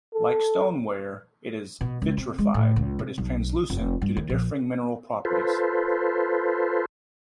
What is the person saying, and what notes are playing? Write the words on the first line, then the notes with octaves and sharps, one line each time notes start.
Like stoneware it is vitrified, but is translucent due to differing mineral properties.
A4
B2
C#2
C3
G#3
A2
C#2
C3
B1
F1
G2
D#2
A#1
F4 A4 B4 C5